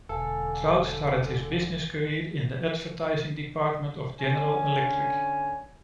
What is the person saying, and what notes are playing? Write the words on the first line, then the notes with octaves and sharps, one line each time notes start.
Trout started his business career in the advertising department of General Electric.
E1 D3 A4 F5 G#5
D3 C#4 G#5